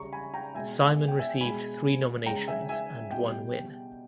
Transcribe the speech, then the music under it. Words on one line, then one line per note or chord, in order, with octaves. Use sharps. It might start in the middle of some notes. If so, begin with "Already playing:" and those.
Simon received three nominations and one win.
Already playing: C#3 G3 A#5 C#6
G#5 B5
G5 A#5
B2 G#3 E5 G#5
G5
E5 G#5
B2 G#3 G#5 B5
C#3 G#3 G5 A#5
E5 G#5
E5 G#5
B2 G3 G5